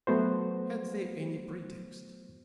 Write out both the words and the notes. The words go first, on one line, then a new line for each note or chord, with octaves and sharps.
Had they any pretext?
F#3 A3 B3 F#4 C5